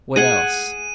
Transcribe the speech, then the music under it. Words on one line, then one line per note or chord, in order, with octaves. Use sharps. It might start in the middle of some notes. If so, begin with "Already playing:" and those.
"What else?"
G#4 F#5 G#5 D#7